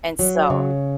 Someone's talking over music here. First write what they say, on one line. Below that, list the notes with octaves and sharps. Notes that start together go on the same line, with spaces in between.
And so
F#3
C#3